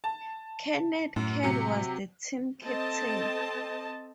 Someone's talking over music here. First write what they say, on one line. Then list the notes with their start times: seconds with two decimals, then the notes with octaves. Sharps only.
Kenneth Kerr was the team captain.
0.04 A5
1.16 F#2 A2
1.43 C3 F#3 C#7
2.63 C4 A4 D#5 A5